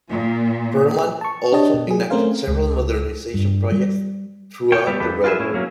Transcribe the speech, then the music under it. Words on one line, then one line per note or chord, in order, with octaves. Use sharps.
Perlman also enacted several modernization projects throughout the railroad.
A#2
A5 C#6
D4 G4 C#5 D#5 A5
B2
F#3 G#4
A3 C4 C#4 A#4 C5 F5
C#2
G2
G3
F4 C#5 G5
G3 A3 B3 G4 B4 E5
F2 G4 A4 B4
F4 F#4 G#4 B4 E5
A2 C#4 E4
F#3 A#3 C#4